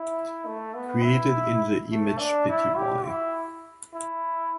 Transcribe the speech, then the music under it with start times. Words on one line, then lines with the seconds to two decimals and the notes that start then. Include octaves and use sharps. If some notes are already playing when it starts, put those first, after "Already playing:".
Created in the Image Pty.
Already playing: E4
0.46 A3
0.74 B3
1.03 E4
1.90 A3
2.19 D4
2.49 E4
2.77 G4
3.07 E4
3.93 E4